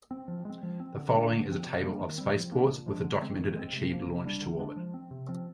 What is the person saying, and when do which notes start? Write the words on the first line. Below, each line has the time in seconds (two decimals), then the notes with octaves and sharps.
The following is a table of spaceports with a documented achieved launch to orbit.
0.11 C4
0.28 F3
0.45 G#3 C4
0.63 F3
0.80 C4
0.96 D3
1.14 G#3 D4
1.31 D3
1.49 F3 C4
1.66 C3
1.83 G3 A#3 D4
2.00 D#3
2.18 G3 C4
2.34 F3
2.52 A#3 D4
2.69 A#2
2.86 F3 G#3 D4
3.04 D3
3.22 G#3 C4
3.39 D#3
3.56 G#3 C4
3.73 C3
3.90 F3 A#3
4.07 C3
4.25 G3 D4
4.42 D3
4.59 G#3 D4
4.77 F3
4.94 C4
5.11 C3
5.29 F3 C4